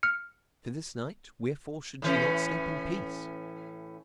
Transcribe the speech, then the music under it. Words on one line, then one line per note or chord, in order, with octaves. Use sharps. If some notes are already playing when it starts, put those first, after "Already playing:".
For this night, wherefore should she not sleep in peace?
F6 C#7
A2 E3 C#4